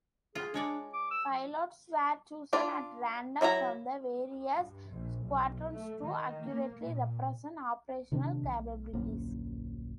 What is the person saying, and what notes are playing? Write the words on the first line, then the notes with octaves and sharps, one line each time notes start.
Pilots were chosen at random from the various squadrons to accurately represent operational capabilities.
F4 G#4
G#3 D4 C#5 D5
D6
E6
D4 F4 D5
F#3 E4 G#4 A#5
G2
A#1
B1
A3
D#3
A#3
A#2
A2 C3 D#3 D4
B1
D1 A#1 F#2 A#3